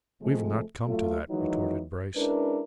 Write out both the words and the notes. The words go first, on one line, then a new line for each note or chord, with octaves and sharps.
"We've not come to that," retorted Bryce.
C3 F3 G#3 A3
F#3 A3 F4
D#3 E3 F#3 G#3 D#4
G#3 C#4 D4 E4 A#4 B4